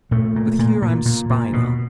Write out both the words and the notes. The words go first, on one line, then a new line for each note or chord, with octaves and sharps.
But here I'm spied on.
A#2 A3
A#2
A#2
A#2
A#2
A#2
B2